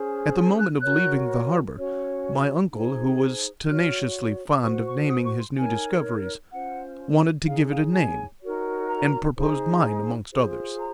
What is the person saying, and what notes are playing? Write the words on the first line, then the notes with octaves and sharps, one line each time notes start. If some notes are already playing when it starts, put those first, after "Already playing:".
At the moment of leaving the harbour, my uncle, who was tenaciously fond of naming his new discoveries, wanted to give it a name, and proposed mine amongst others.
Already playing: C#4 G#4 C5
F#6
F#4 A#4 C#5 F#6
C#4 F#4 C#5
D#4 G#4 C5
F#4 C#5 F6
F#4 C5 C#6
C#6
D#6
C#6
C6
D#4 A#4 C#5 G#5
C#4 F4 C5 F#5
D#4 G#4 C#5 F5
F5
G#5
D#4 F#4 A#4 C#5
A#5
D#4 G#4 C5
F4 G#4 C5
A#5